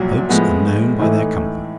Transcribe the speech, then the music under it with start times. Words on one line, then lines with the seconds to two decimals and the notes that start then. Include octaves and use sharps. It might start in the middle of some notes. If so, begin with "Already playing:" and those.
Folks are known by their company.
Already playing: C2 A#2 F3 F#3
0.29 A2 F3 G#3 B3
0.99 A2 E3 A3 D#4